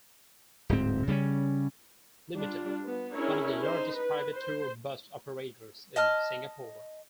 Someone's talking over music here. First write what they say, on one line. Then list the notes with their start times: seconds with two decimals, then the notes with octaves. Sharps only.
Ltd., one of the largest private tour bus operators in Singapore.
0.69 D1 G#2 C4
1.08 C#3 G3 G#3 C#4
2.34 G3 D4 F4
2.85 B3
3.14 C#4 D4 E4 G#4 A#4 C#5
3.62 D#4 C5
3.97 B4
4.35 C5
5.96 D#5 A5 F6